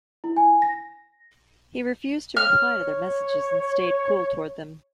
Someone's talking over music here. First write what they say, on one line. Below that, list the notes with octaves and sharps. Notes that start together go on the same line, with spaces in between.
He refused to reply to their messages and stayed cool toward them.
E4
G#5
A#6
C#5 F6